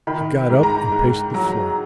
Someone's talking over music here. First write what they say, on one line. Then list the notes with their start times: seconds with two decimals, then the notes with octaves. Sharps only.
He got up and paced the floor.
0.07 D#3 B5
0.50 G#2
0.63 A#5
0.92 G#2
1.34 F#3 A#5